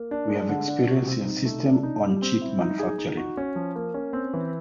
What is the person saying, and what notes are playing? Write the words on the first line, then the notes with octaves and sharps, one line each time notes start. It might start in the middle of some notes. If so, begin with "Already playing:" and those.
We have experience in system-on-chip manufacturing.
Already playing: A#3
D4
G#3
D3
D4
F#4
C4
D#4
A3
D4
D#4
G3
C4
E4
D#4
G#4
D#4
F#4
C#4
F3
A#3
C#4
C4
E3